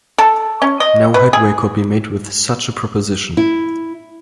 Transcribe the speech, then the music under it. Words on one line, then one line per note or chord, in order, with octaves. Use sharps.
No headway could be made with such a proposition.
A4
C#4
D#5
B4
G#4
E4